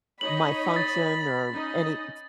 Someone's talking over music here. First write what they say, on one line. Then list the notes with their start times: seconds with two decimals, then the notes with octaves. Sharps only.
my function or any p
0.21 D#4 C#5 D#5 B5 F#7
0.76 A6
1.50 C#4 D#4 D#5